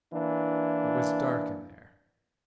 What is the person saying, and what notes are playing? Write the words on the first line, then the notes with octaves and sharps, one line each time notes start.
It was dark in there.
E3 A#3 D4